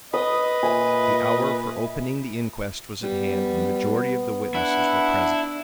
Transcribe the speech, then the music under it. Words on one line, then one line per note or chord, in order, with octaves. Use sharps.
The hour for opening the inquest was at hand and the majority of the witnesses were present.
B4 D#5 D#6 E6
A#2 E5 G#5
G3 B3
D4 E4 F#5